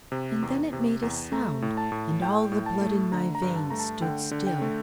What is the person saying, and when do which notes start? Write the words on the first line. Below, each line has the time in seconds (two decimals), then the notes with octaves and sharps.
And then it made a sound, and all the blood in my veins stood still.
0.12 C3
0.42 E2
0.73 C3
1.02 E2
1.32 A3 A#5
1.62 A2
1.77 A5
1.92 A2
2.22 A2 G5
2.52 A2
2.66 A5
2.82 A3
3.12 D3 A#5
3.35 A#5
3.42 G2
3.56 A5
3.70 A3 A#5
3.79 A5
4.02 D3 G5
4.31 D3
4.47 G5
4.62 A3